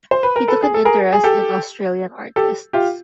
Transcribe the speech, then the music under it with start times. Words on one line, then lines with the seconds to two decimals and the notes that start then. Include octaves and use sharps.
He took an interest in Australian artists.
0.11 C5
0.23 B4
0.36 A#4
0.48 A4 B4
0.63 G#4
0.74 A4
0.85 G#4 A#4
1.13 G#4
1.24 G4 A4
2.36 G4 A4
2.73 F4 G4